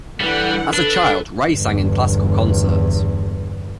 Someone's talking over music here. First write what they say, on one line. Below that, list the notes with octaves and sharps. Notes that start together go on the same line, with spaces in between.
As a child, Rae sang in classical concerts.
D3 E3 G3 F#5
D4 A4 B4
G1 E2